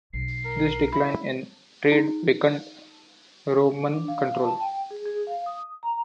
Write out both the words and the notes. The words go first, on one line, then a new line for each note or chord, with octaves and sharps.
This decline in trade weakened Roman control.
B1 C7
A#4
E4 B5
D#4 G#4
D4
F5
A5
G5
G#4
G#4
F5
D#6
A#5